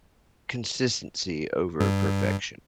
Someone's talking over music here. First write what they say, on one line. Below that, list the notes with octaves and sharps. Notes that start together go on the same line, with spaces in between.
consistency over perfection.
G2